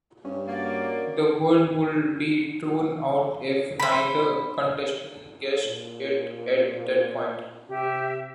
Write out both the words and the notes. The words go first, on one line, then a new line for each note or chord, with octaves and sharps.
The word would be thrown out if neither contestant guessed it at that point.
G2 C#4
A#3 F#4 D5
C5 B5
A#2
C3 G4 E5